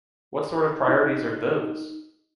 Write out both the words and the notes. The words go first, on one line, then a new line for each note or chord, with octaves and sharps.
What sort of priorities are those?
D#4